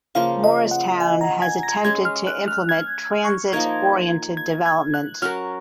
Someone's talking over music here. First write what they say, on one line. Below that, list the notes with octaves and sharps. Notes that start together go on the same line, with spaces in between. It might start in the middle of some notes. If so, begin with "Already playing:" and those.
Morristown has attempted to implement transit-oriented development.
C#3 F3 A#3 F4 F5
D#5
F#5
G#5
A#5
G#6
A#6
G#3 C#4 G#4 G#6
F6
F#6
F6
G#6
C#6
F3 A#3 D#4 A#4 G#6
G#6
G#6
F#6
F#3 C#4 F#4 A#4 F6